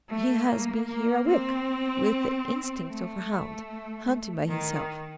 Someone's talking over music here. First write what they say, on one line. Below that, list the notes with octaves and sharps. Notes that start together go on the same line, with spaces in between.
He has been here a week, with the instinct of a hound, hunting by himself.
A3
A#3
A#3
C4
A3
D#3